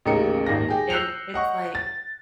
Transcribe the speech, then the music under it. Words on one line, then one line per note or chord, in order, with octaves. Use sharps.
and it's, like,
A1 D#2 C#3 A#4 D#5 C#7
G#1 D#2 A#2 A#6
G4 G#4
E6 F#6 G6 C7 C#7 F7
D#5 F#5 C#6
A6